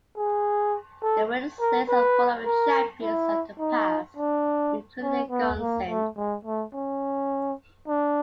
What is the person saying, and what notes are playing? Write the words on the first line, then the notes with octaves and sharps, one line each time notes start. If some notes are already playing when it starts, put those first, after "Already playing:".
The winners list is full of champions of the past, including Gunsynd.
G#4
A4
A#4
B4
A#4
E4
D#4
D4
C#4
B3
A#3
A3
G#3
A3
C#4
D4